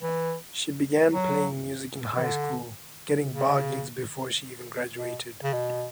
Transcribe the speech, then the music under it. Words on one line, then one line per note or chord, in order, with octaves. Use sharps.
She began playing music in high school, getting bar gigs before she even graduated.
E3
F#3
E3
D3
C#3
B2
C#3
B2